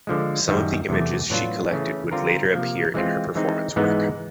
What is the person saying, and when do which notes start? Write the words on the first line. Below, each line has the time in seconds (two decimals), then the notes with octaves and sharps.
Some of the images she collected would later appear in her performance work.
0.07 D3 F3 G#3
0.48 F#2 D#3 G3
0.89 E2 C3 E3 A3
1.30 A2 F#3 B3 D4 F4
1.71 C#3 E3 A3 C#4
2.11 D3 G3 C4 F4 A#4
2.53 C3 F3 A#3
2.94 E3 G#3 C4 F4
3.35 E3 G#3 C4 D#4
3.76 G#2 E3 G#3 B3 D#4